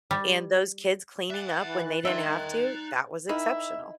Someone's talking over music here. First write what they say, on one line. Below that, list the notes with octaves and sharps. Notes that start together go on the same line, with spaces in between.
And those kids cleaning up when they didn't have to, that was exceptional.
G3
E5 F#5 F#6 A6
E3
D#3 D4 D#4 E5 C6
D#3 D#4 E4 E5